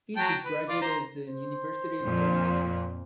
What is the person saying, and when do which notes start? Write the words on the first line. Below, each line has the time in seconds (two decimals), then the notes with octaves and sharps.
He is a graduate of the University of Toronto.
0.17 F#3 G5 A5
0.45 B4
0.69 F4 D5
0.82 C5 A#5
1.27 C5
2.04 F2 A#2